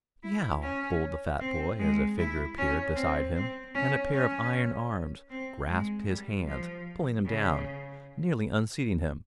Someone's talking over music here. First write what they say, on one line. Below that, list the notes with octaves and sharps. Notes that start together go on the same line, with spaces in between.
"Yeow!" bowled the fat boy as a figure appeared beside him and a pair of iron arms grasped his hands pulling him down, nearly unseating him.
E4
C#4
C4
G#3
E4
C#4
C4
C4
C#4
C#4
C4
G#3
G3
F3
C#3